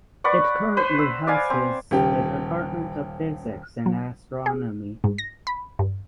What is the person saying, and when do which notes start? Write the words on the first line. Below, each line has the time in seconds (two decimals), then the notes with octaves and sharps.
It currently houses the Department of Physics and Astronomy.
0.24 B4 D5 F#5 C#6
0.77 B4 C5
0.99 E6
1.27 D5 F5 G#5
1.50 C4
1.91 D#1 C#3 G4
3.86 F#3
4.46 G#4
5.04 G#2
5.18 A#6
5.47 B5
5.79 G2